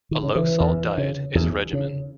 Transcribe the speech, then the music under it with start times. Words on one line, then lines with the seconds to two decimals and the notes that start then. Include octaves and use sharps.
A low-salt diet is a regimen.
0.11 D#3
0.23 C#3
0.35 E3
0.60 E2
0.98 C#3
1.35 E2
1.73 C#3